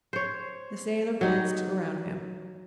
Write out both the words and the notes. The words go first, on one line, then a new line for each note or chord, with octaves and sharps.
The sailor glanced around him.
C5 C#5
F#3 D#4